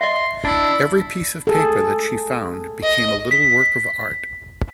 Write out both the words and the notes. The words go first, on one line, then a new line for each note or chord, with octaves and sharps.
Every piece of paper that she found became a little work of art.
D#5 E5 C6
D4 E4
G#4 A4
D#5
B6